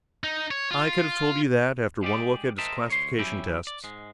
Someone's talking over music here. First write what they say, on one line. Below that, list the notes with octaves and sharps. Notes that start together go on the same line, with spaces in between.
"I could have told you that after one look at his classification tests."
D#4
C#5
F4
G#3 G4 G#4 D5
A#4 C5 D#5 E5 G5 A5
D2 C#5 C6
E2 F#3 C#4 E4 G4 G5
D5
G#2 G#3